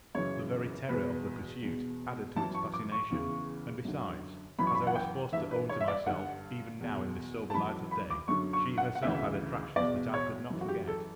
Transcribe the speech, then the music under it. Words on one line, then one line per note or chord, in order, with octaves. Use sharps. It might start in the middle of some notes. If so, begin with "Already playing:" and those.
The very terror of the pursuit added to its fascination, and besides, as I was forced to own to myself even now in the sober light of day, she herself had attractions that I could not forget.
F#2 C#3 E3 C#5
E2 B2 B4
E2 B2
F#2 E3 A5
C#6
D6
C#6
E2 C#3 E3
F#2 D3
F#2 E3 B5
C#6
B5
F#5
G5
G2 E3 E5
B4
C#5
E5
D5
G2 D3 F#5
E2 B2
A5
F#2 E3 B5
B5
D6
F#2 D3 C#6
C#6
F#5
F#5
D2 C#3 E3 E5
E2 B2 D5
C#5
F#2 E3
F#4
G4
A4